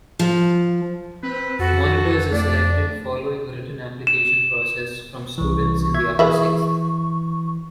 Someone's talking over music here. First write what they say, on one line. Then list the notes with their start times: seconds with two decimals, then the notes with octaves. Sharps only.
Monitors are selected, following a written application process, from students in the Upper Sixth.
0.19 F3
1.23 C4 B4
1.59 F2 F#4 A4
2.32 A3 D4 D5
4.07 E7
5.38 C2 E3 C#6
5.94 E5 G#6
6.19 E3 G#4 B4 E5